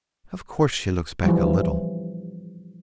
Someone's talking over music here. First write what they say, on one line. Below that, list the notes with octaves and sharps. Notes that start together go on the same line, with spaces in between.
"Of course she looks back a little."
E3 F3 G3